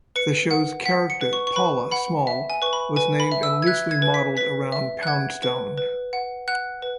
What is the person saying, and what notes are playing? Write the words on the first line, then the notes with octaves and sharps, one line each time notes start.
The show's character, Paula Small, was named and loosely modeled around Poundstone.
B4 C#7
F#5
F#5 B6
C#7
B4
C#6
C#6
B4 B5
F#5 B5
E5
G#5
B4 C#6
B5
B4 G#5
B5
E5
E6
G#6
E5 F#6
G#6
B4
B6
B4 B6
E5
F#6
F#5 G#6
B4
B4
F#5
F#5 F#6
B4